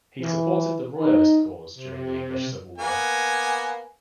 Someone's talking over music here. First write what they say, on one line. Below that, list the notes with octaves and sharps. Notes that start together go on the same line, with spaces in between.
He supported the Royalist cause during the English Civil War.
E3
D#4
C3
C3
A#3 B3 G#5